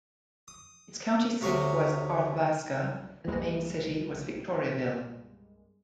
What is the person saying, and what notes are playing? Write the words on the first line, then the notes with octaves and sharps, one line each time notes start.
Its county seat was Arthabaska and the main city was Victoriaville.
D#6
D2 C3 C#5 F5 G#5 A#5
C2 G2 G3 G#3 A#3